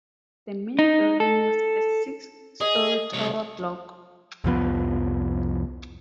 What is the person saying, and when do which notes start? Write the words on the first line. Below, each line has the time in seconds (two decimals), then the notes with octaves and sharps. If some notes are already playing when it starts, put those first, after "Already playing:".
The main building was a six storey tower block.
0.79 D#4
1.20 A4
2.61 G#4 D#5
3.13 C2 C#5
4.44 C2 F2 F3 B3